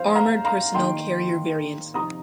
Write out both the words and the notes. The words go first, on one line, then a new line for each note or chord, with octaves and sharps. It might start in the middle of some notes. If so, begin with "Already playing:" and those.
Armoured personnel carrier variant.
Already playing: F3 D#4 C5 F5
F5 A#5
F5 A#5
D#3 A#3 D#4 G5 C6
C3 F3 C4 D#4 A#5 D#6